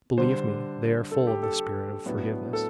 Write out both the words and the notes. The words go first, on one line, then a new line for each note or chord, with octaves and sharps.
Believe me, they are full of the spirit of forgiveness.
D3 G3 D4 C5
A4
G4
A4
A2 F#3 B3 D4
A4